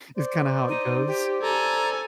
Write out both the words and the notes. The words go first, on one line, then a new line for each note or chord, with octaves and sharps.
is kinda how it goes
C5 D5
D#4
G4
A4 G#5 A#5